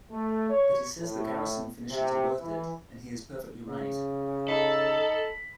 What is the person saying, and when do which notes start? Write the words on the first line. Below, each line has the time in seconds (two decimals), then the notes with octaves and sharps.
But he says the Garrison finishes are worth it, and he is perfectly right.
0.10 A3
0.49 C#5
1.00 A2
1.90 C3
2.39 E3
3.66 C#3
4.48 D#4 A4 B5